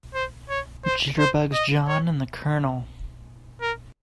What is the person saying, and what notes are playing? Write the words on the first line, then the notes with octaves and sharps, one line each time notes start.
Jitterbugs JOHN and the COLONEL.
C5
C#5
C5
C5
D#5
C#5
A#4